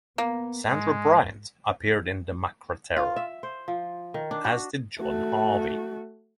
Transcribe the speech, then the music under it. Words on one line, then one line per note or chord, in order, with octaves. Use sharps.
Sandra Bryant appeared in "The Macra Terror", as did John Harvey.
A#3 B3
G#2 G#3
F4
E5
C5
F3
D#3
D4
F#4
A3 F#4